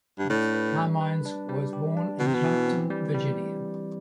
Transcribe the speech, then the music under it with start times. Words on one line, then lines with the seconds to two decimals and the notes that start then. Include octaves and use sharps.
Carmines was born in Hampton, Virginia.
0.19 G2
0.30 A2 D4
0.54 B4
0.78 G3
1.01 B4
1.26 D4
1.49 G3
1.73 G4
1.97 D4
2.19 B2 E3
2.27 C3
2.34 B2
2.44 E3
2.67 C4
2.91 G3
3.14 G3